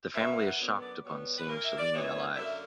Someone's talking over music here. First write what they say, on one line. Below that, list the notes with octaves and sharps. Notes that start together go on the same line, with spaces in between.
The family is shocked upon seeing Shalini alive.
F#2 E3 A#3 E5
F#5
F#2 D3 F#3 B3
D5
B2 G3 B3 C#5
B4
A#2 A#3 A#4
E5
D5
F#2 E3 B3 C#5
F#2 D3 A#3 E5